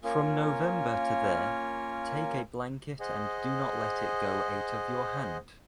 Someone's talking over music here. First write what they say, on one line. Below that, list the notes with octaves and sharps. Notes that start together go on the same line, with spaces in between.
From November to there, take a blanket and do not let it go out of your hand.
A#3 C#4 F4 A#4 C#5
G#4 C5 D#5 F#5